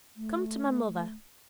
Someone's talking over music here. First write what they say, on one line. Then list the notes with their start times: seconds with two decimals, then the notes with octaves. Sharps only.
Come to my mother.
0.16 A3